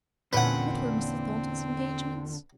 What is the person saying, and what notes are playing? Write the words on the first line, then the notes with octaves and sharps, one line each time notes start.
What were Mr. Thornton's engagements?
E2 A#2 D3 C4 C#4 B4 F#5